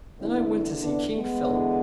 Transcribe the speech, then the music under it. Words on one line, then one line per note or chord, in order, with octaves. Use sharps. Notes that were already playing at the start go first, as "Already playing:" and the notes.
Then I went to see King Philip.
E2 D3 C4 E4
B3 D4
G#3 B3
E2 D3